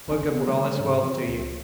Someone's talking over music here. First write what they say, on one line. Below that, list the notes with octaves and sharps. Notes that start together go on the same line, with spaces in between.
What good would all this wealth do you?
F1 E2 A#2 C#4
B3
D3 F3 G3 A3
G#2 D3 E3 F3
F3 C4
C#2